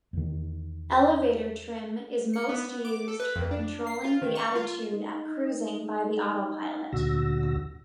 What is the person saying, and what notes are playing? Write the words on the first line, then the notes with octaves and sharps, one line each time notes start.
Elevator trim is most used for controlling the attitude at cruising by the autopilot.
E2 D#3
C#7
B3
D6
A4
B4
F2
D4
C7
F4
D#3
C#6
F4
D#4
D2 A#2 D3 F#4 E6 A#6